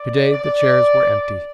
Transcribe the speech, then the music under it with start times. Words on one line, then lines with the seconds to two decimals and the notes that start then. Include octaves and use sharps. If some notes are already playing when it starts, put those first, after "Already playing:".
Today the chairs were empty.
Already playing: D5
0.32 D5